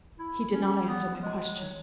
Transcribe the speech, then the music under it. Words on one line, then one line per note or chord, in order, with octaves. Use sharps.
"He did not answer my question."
E4
C#4
B3
G#3
F#3